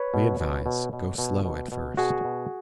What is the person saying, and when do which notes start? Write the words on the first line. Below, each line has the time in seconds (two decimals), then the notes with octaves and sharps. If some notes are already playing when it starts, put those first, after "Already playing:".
We advise: Go slow at first.
Already playing: B4 C#5
0.14 B2
0.40 B2
0.66 B2
0.93 B2
1.18 B2
1.45 B2
1.72 B2
1.97 B2 F#4 G#4
2.25 B2